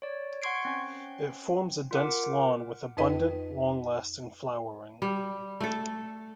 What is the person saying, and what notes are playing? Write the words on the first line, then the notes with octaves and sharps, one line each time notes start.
It forms a dense lawn with abundant, long-lasting flowering.
C#5 D5
F#5 C6 C#6 G#6 C7 D7
C4 C#4
F4 A#4 F#5 D6
F2 D#4 B4 D#5 G5
G3
A3 A4